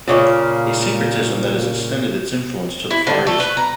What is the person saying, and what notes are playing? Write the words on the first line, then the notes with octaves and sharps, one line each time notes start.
A syncretism that has extended its influence to the Far East.
A#2 C#3 A#3
E4
D3
A3
B4
A#5